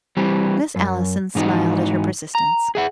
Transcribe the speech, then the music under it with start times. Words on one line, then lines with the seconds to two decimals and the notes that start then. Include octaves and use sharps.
Miss Allison smiled at her persistence.
0.17 E3 G3 C4
0.76 F#2
1.35 G#2 E3 D#4 F#4
2.35 A#5
2.75 G#4 E5 F#5